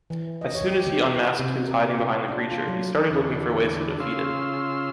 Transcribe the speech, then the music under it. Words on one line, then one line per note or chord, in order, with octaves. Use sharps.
As soon as he unmasked who’s hiding behind the creature, he started looking for way to defeat it...
E3
D#5
C#5
G4
G4
E4
C3
A#4
F4
D4
F4
F#3
E2 D3
C#3 F4 C6 E6